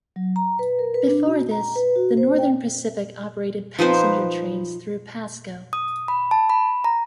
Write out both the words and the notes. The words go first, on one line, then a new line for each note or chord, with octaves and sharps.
Before this, the Northern Pacific operated passenger trains through Pasco.
F#3
A#5
B4
A#4
B4
D4
F#4
A#5
B4
F#4
C5
G5
F3 D#4 B4 C5
D#6
B5
A5
B5
A#5